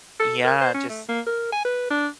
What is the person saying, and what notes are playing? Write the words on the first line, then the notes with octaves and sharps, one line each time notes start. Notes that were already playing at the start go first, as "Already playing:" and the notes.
Yeah, just
A4
A#4
C5
C#4
A3
A#3
A#4
G#5
B4
D4